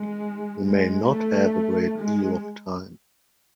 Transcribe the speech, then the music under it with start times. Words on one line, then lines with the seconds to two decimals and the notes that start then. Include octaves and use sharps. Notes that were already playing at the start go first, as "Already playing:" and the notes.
You may not have a great deal of time.
Already playing: G#3
0.64 G#3
1.08 A3
1.98 G#3